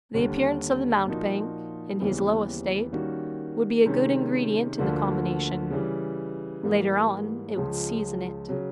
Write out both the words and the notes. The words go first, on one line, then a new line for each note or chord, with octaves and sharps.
The appearance of the mountebank, in his low estate, would be a good ingredient in the combination; later on it would season it.
D#2 D3 G3
A#2 F3 A#3 D#4 F#4
D#2 C#3 E3 G3 B3
D#3 G3 A#3 C#4 F#4
C3 D#3 G#3 C#4
D2 D3 F3 A#3
C#3 E3 G3
G#2 E3 G3 A#3
C#2 C#3 F3 G#3 C#4
C#3 F#3